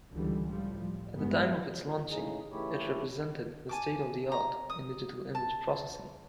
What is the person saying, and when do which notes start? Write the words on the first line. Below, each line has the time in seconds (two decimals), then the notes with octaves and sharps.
At the time of its launching, it represented the state-of-the-art in digital image processing.
0.12 C#2 D3 E3 G3
0.48 A2 F3 G3
0.81 F3
1.13 G2 G#3 B3
1.75 A#2
2.10 A2 C#3 D#4 G#4
2.51 C#3 E3 A3 E4 G4 C#5
3.69 G#5 A5 D6
4.32 A#5
4.70 D#6
5.35 A5